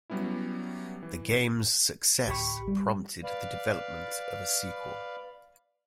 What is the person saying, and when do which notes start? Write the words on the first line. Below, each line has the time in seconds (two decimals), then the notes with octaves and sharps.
The games success prompted the development of a sequel.
0.10 F#3 G3 B3 C#4 E4
1.03 E3
2.27 A1 D2 G4 G5 B5 C#6
2.68 G3
3.24 B4 D5 F5